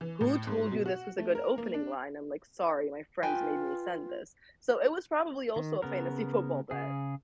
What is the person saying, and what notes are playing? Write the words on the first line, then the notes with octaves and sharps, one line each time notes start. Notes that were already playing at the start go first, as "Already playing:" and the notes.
"Who told you this was a good opening line?" I'm like, "Sorry, my friends made me send this." So it was probably also a fantasy football bet.
E3
A2
G#2
B2
F#4
A3
A#4
A#3
D4
F4 B4 G5 G#5
D#3
C#3 B3 A#4
C#3 G#4